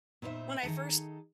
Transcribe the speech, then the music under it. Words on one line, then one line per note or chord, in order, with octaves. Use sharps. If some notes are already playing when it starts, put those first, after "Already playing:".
when I first
A#2 B3 D#4 B4 C5 E5
D#3 D#4 G#4 A4